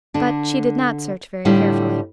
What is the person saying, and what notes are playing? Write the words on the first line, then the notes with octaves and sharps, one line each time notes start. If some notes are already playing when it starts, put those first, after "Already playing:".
But she did not search very carefully.
D3 D4
A2 D3 G3 D4 E4 F4